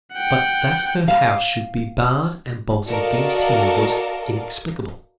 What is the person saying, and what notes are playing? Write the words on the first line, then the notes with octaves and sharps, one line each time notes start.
But that her house should be barred and bolted against him was inexplicable.
F#5 G5
F5
F#4 A4 A#4 D5 D#5 F5